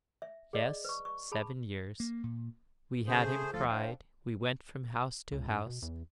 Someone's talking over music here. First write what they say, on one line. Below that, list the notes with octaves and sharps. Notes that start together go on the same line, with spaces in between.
'Yes, seven years: we had him cried--we went from house to house.
E5
G#4 D5 D#5
B4 C#6
C#6
G#4 A5 B5
A#3
A#2
C#3 A3 G#4 C5
D2 F3 F4 A4 A6
D3 C5 F5 G5
C#2
G2
B2
E2